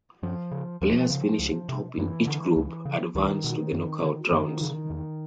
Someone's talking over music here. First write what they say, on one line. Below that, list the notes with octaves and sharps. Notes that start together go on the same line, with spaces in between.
Players finishing top in each group advanced to the knockout rounds.
F#2 F3
C#3
D#2 F3
C#3
C#2
C3
F#2 E3
D3
C#2
C#3
C#2 D#3
B2
F#2
D3
F#2 D#3
C#3
E2